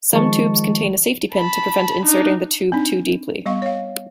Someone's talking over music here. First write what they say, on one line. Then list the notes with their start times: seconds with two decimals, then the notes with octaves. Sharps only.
Some tubes contain a safety pin to prevent inserting the tube too deeply.
0.13 D#3 F3 G#3 A5 C#6
1.34 A5 B5
2.04 D4 D#4
2.72 C4 D4 D#4
3.46 G3 B3 D#5 F5 C#6
3.62 C#5 F5